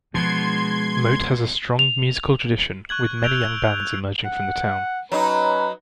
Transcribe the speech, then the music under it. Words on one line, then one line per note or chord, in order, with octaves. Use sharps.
Moate has a strong musical tradition with many young bands emerging from the town.
B2 F3 G#3 D4 C6 G#6
F7
C#6 F#6 G#6 F#7
E6 G6 D7 F7 G7
F#5
F#3 C#4 D#4 B4